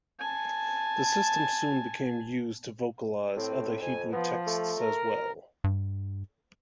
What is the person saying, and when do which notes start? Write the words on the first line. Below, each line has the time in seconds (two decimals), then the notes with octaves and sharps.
The system soon became used to vocalize other Hebrew texts as well.
0.20 G#5 A5
3.37 A2 C4
3.82 F2 G#5
4.13 F3 B3
4.46 A3
4.79 A#4
5.64 G2